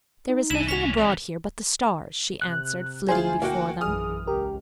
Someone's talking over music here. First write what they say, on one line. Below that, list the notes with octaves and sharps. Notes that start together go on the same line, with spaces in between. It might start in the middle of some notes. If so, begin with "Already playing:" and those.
"There is nothing abroad here but the stars," she answered, flitting before them.
D#4
C2 E4 G#5 E7
D#2 C#4 B6 F7
C#2 C3 E3 D5
C3 F#6
D2 E4 F4 G#4 C5 G#5
A#3 F#4 G5
A#1 F#2 E3 G#4 D#6 F6
C#2 G4 A#4